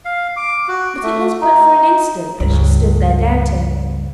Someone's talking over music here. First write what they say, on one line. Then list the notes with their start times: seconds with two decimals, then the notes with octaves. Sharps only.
But it was but for an instant that she stood there doubting.
0.05 F5
0.36 D6
0.68 F#4
1.03 A3
1.41 D#4
2.40 C#2 G2